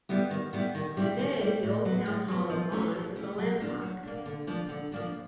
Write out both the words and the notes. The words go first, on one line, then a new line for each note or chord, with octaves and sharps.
Today, the old town hall of Vaughan is a landmark.
G3 B3 E4
D#3
G3 B3 E4
D#3
G3 C4 E4
D#3
G3 C4 E4
A2
F#3 B3
A2
F#3 B3
F3
A3 C#4 E4
F3
A3 C#4 E4
F#3
A#3 D4
F#3
A#3 D4
D3
F3 A#3 D4
D3
F3 A#3 D4